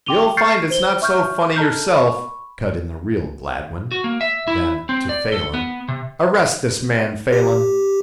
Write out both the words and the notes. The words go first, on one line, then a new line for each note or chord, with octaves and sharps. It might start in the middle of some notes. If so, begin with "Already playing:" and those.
"You'll find it's not so funny yourself," cut in the real Gladwin. Then to Phelan, "Arrest this man, Phelan."
G5 C6 D6 D#7 F7 G7
C#6 F6 G6 A6 C7 C#7
C5 G7
E5 C#6 F6 G6
A4 D#5 A5 A#5 F6 G6
B5 C#6
F#4
A#3
E5
E4
C4
D5
A4
B3
C3
G4